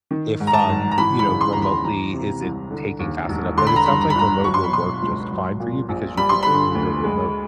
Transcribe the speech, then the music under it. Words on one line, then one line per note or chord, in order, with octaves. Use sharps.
if, um, you know, remotely isn't taking fast enough. But it sounds like remote will work just fine for you, because you could do your remote
D#3
G#2
A#5
A5
G#1
A#5
E3 B5
B5
C#3
C6
D#2 A#5
B5
E3 A#5
C3
C2
D3
D#2
E1
D3 C6
B5
A#5
G2 B5
A#5
B5
G1 A#5
F#3 C#6
C6
B5
B2 C6
C#2
F#3
A#2
A#1
G3 B5
C6
D3 B5
D2
G#3